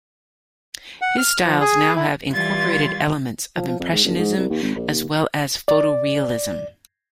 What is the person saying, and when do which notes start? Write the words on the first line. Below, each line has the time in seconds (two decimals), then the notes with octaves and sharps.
His styles now have incorporated elements of impressionism as well as photorealism.
1.01 F#5
1.18 F6
1.44 F3
1.60 G#4
1.96 E4
2.33 E3 G3 F4 C6 G#6 A6
3.56 F3
3.68 F3
3.80 F2
3.92 G#2
4.04 F#1
4.18 G#2
4.37 C2
4.50 D#2
4.62 G#1
4.75 A#1
4.88 D#2
5.68 D5